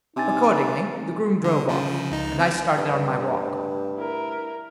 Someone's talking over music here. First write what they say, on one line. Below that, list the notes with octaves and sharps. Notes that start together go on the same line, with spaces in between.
Accordingly the groom drove off, and I started on my walk.
C3 D4 D#4 G#5 A6
D3
C#3 F3
C#2 D#4
C4
D2 G2 G3 D#5
E4 A#4